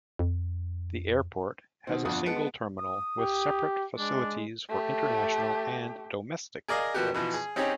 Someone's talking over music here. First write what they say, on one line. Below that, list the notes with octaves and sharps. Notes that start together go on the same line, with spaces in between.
The airport has a single terminal with separate facilities for international and domestic flights.
F2
B2 D#3 C4
G1 F2 D4 F4 F#5 D#6
G#3 B3 A5 C#7 D7
D#6
G4
G#3 D4
A3 G4
G#4 A#4 D5 D#5 F5
B2 F3 A#3 B3 F#4 G4
B2 E3 F3
G#4
C4 C#4 D#4 G4 G#4 C#5